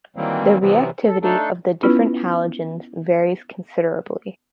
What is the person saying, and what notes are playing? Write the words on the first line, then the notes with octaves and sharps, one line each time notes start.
The reactivity of the different halogens varies considerably.
D#3 E3 F#3 G3 A#3 C4
C3 E3 F#3 G3 B3 C4
A4
A3 D4 D#4 A4
B3 C#4 E4 F4 B4